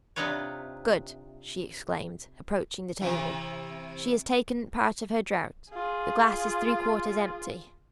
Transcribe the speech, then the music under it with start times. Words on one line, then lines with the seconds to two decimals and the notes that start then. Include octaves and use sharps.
"Good," she exclaimed, approaching the table, "she has taken part of her draught; the glass is three-quarters empty."
0.16 C3 D4 D#4 F4 B4 C#5
3.01 C3 E3
5.71 F4 G#4